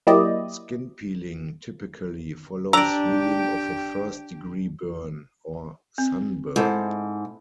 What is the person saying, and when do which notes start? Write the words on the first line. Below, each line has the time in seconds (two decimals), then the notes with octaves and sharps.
Skin peeling typically follows healing of a first degree burn or sunburn.
0.07 F#3 A#3 E4 G4 D5 D#5
2.73 D4 G4 D5 G5 A#5 E6
5.98 C4
6.56 G#2 E4 A4 C5